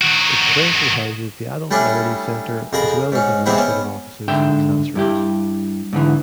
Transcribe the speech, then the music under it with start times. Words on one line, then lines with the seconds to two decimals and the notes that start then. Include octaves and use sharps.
It currently houses the Adult Learning Center, as well as administrative offices and classrooms.
0.02 D#3 F#4
1.71 G3 A3 C#4 D4 E4
2.73 F2 G#4 A#4 B5
3.12 G#2 C#4
3.46 C3 E3 G#3 B3 C4 E4
3.58 B3 C#4
4.28 G#2 D3 E5 G5
4.95 G2 E4 G4
5.93 G#2 D3 E3